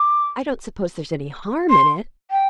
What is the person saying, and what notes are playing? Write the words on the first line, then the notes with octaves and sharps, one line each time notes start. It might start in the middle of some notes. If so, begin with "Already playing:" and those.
"I don't suppose there's any harm in it."
Already playing: D6
C6
G5